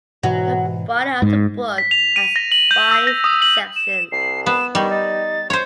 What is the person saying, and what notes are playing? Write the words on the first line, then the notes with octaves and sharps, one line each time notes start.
The body of the book has five sections.
G#2 B2 E3 F#3
G#2
B6
F7
D#7
A#6
F#7
G6
E6
A#6
D#6
F#7
E7
C2 C7
B3 E7
D#3 G3 C#6
D#4 A6
C5 C#5 C6